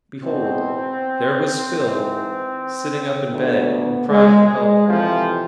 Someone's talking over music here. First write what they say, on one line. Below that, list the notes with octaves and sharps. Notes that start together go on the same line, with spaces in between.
Behold--there was Phil, sitting up in bed, and crying for help.
E2 B2 C4
G#2 E3 C4
D2 D3 B3
G#3
G#3
F2 C3 E3 F3